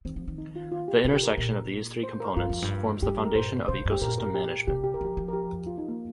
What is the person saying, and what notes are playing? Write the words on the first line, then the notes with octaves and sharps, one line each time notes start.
The intersection of these three components forms the foundation of ecosystem management.
D#3 C4
F3
D#3
D#4
F4
F4
G4
C3 A#4
G4
A#4
A#2 A#4
C5
A#4
G2 F4
F2
G2
G2 G4
A#4
A#2 C5
C3 C5
G2
G4
A#2 A#4
A#4
G4
C3 G4
G4
A#4
F3 G4
F3
A#4
G4
F4
D#4
A#3